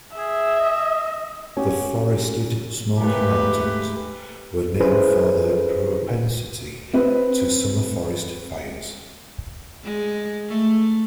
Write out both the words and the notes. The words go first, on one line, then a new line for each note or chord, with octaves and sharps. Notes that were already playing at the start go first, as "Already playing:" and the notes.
The forested Smoky Mountains were named for their propensity to summer forest fires.
G#4 E5
D#5
C#4 F#4 G4
G#2 A3 A#3 G4 B4
C#4 E4 G#4 B4 C5
C4 B4
G#3
A3